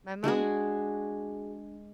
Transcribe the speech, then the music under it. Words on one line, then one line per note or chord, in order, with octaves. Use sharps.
my mom,
G#3 D4 F#4 G#4